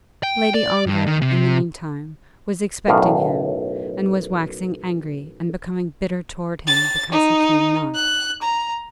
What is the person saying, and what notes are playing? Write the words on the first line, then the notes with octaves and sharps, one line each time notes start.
Lady Ongar, in the meantime, was expecting him, and was waxing angry and becoming bitter toward him because he came not.
G5
D5
G2
D#3
C3
B1 F#2 A2 F5
A6
D#4
F#6
A#5